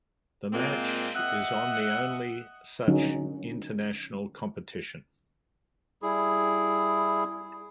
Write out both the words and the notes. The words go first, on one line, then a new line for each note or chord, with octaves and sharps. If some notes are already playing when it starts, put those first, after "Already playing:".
The match is the only such international competition.
A#2 G#3 A#3 C4
D#5 E5 F#5
D3 F#3 C#4 D#4
G3 E4 G#4